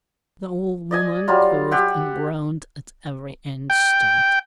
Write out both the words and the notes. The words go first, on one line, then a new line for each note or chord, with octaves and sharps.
The old woman coughed and groaned at every instant.
D5 D#5 G#5
F#3 G3 F4
G4 E5 F#5
G5